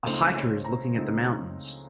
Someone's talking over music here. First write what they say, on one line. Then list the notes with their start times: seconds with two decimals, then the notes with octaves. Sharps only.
A hiker is looking at the mountains.
0.06 C#2 C#3 A3 C4 D#4 C5
0.36 C#5
0.65 A#5
0.94 C#2 C#3 A3 C4 D#4